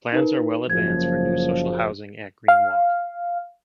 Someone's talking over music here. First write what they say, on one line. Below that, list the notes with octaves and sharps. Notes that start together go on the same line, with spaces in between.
Plans are well advanced for new social housing at Green Walk.
D#4 A#4 B4
F#1 F3 G#6
F5